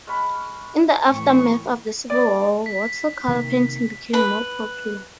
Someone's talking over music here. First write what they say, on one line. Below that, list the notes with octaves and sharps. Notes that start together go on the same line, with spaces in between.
In the aftermath of the Civil War, watercolor painting became more popular.
G#3 C#4 B5
A2 E3 C#6
D5
B6
C3 D#3 A#3
B4 B5